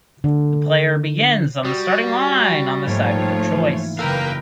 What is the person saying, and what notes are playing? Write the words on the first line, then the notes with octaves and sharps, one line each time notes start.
The players begins on the starting line on the side of their choice.
D3
G3 F#4 D#6
G#2 F3 A3 A#3 F4 C#5
E3
F#1 A#4 B4 F5 G5 A#5 E6